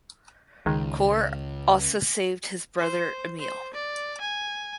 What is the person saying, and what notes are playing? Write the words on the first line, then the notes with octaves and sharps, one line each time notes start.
Cor also saved his brother Emil.
C#2 D#3 G#3
C5
C5
D5
G#5